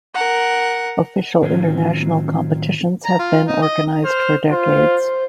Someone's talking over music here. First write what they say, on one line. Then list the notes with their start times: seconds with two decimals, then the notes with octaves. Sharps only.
Official international competitions have been organised for decades.
0.15 A#4 F#5
1.42 A2 D#3 F#3 C4 C#4 F4
3.05 A#5
3.19 F4
3.48 D#4
3.62 D#5
4.04 C5 F6
4.51 F4 C5